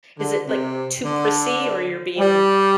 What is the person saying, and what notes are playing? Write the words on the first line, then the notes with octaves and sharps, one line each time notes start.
is it, like, too prissy or you're being
D3
C3
D3
G3